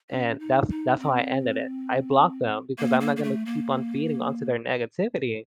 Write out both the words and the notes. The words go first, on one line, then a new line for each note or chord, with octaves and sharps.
and that's that's how I ended it. I blocked them because I'm not gonna keep on feeding onto their negativity.
C#4
D#4
D#4
C4
A#3
A#3
A#3
A3
A#3